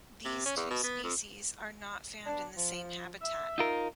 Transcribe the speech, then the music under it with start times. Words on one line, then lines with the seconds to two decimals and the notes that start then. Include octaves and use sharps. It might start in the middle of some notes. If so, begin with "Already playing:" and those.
These two species are not found in the same habitat.
0.25 C3
0.45 C#4
0.56 E2
0.70 B2
0.83 B3
1.04 F2
2.26 B3 D4
2.56 F3
3.22 E5
3.58 D#4 F4 A#4